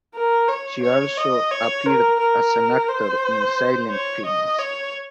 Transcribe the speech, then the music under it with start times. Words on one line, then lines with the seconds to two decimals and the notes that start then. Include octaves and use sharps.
She also appeared as an actor in silent films.
0.15 A#4
0.48 C#5
0.82 C#5
1.17 D#5
1.51 C#5
1.86 A#4
2.20 A#4
2.88 C5
3.90 C#5
4.25 D#5
4.58 C#5